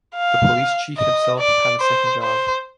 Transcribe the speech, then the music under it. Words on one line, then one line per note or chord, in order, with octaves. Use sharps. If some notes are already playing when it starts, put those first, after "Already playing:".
The police chief himself had a second job.
F5
D#5
D5
C5
C5